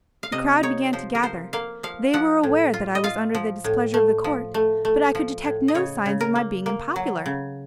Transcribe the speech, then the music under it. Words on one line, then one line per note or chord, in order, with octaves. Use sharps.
The crowd began to gather; they were aware that I was under the displeasure of the court, but I could detect no signs of my being unpopular.
F5
C3 D#5
D#4 C#5
F3 C5
A#4
F3 C5
A#3 F5
F3 F5
F3 F#5
A2
F4
D#5
F4 F5
F3
A2
A3
F3
A3
A3
F3
A2
D#5
C#3 C#5
C#3
A#4
A#3
A#3
F#3
C#3